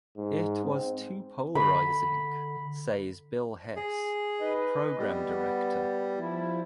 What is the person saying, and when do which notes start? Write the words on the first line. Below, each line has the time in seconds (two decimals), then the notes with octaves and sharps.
"It was too polarizing," says Bill Hess, program director.
0.18 G#2
0.64 C4
1.55 D3 B5
3.76 G#4
4.41 D#4 B4 D#5
4.99 G3 B3
6.18 F3 E4